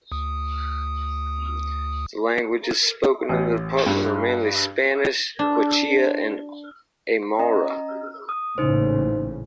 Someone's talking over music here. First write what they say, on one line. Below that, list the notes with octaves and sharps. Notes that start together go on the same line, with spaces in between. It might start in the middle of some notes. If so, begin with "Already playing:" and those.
The languages spoken in the department are mainly Spanish, Quechua and Aymara.
D2 D#6
A1
G2
D4
C#4 D#5 A#5
D#6
A1 A#2 C#3 D#4 C5